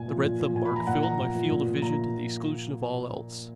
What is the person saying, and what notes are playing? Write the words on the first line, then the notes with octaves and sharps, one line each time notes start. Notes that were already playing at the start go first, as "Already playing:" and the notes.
The red thumb-mark filled my field of vision to the exclusion of all else.
Already playing: A#2 G#5
F3
A#2
F3
A#2 G#5
B5
F3 A#5
A#2 F#5
F3 A#5
A#2
F3
A#2
F3
A#2 A#5